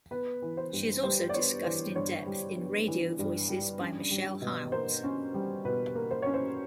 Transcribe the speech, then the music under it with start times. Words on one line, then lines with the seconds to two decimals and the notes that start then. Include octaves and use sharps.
She is also discussed in depth in "Radio Voices" by Michele Hilmes.
0.11 B3 B4
0.42 E3
0.57 C5
0.73 G2
1.03 G3 C5
1.29 D5
1.33 B3 C#5
1.64 E3 C5
1.95 G2 C#5
2.26 G3
2.56 B3
2.88 E3
3.19 G2
3.49 G3
3.80 C#4
4.11 G3
4.41 B2
4.72 A#3 C5
5.04 C#4
5.34 G3
5.65 B2 B4
5.95 A#3
6.11 C5
6.22 C#4 C#5
6.34 C5